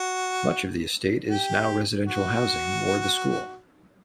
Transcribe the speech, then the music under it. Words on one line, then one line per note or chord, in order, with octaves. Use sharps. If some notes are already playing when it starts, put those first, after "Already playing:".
Much of the estate is now residential housing or the school.
Already playing: F#4
G4
F#4